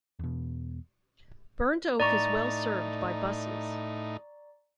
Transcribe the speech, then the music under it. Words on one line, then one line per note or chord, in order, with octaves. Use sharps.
Burnt Oak is well served by buses.
E2 B2
A2 D#4 D5 A#5 C#6